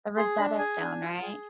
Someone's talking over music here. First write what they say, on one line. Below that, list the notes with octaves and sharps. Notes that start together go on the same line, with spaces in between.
the Rosetta Stone, right?
G#4 C6
D4 B5
G#4 G#5
D4
F4
G#4